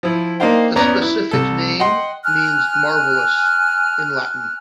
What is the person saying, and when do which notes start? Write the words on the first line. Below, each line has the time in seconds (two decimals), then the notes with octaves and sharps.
The specific name means "marvelous" in Latin.
0.03 F3 E4
0.40 A#3 D4 D#4 C5 F5 G5
0.76 E2 B3 C#4 D5 A#5
1.02 E4
1.31 C2 A4
1.79 D#5 F#5 G5 C6
2.24 G#5 F6 F#6